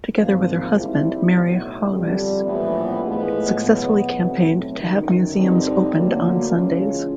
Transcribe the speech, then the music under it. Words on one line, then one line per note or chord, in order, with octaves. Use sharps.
Together with her husband, Mary Haweis successfully campaigned to have museums opened on Sundays.
G#1 G#2 F3 A#3
D#3 G3 C4 E4
B1 A2 F#3 B3 D#4
F2 D3 G3
A#1 A2 E3 G3 B3
A2 F3 G#3 B3
E2 B2 F#3 B3
B1 A2 F#3 A3 C4
G1 F#2 D#3
G2 D3 G3 C4 D#4
D2 D3 F#3 A#3
C#3 E3 G#3 C#4 F4